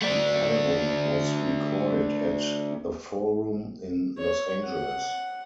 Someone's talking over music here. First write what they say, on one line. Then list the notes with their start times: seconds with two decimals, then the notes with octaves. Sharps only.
The album was recorded at The Forum in Los Angeles.
0.02 A3 D4
4.18 C#5
4.65 F#5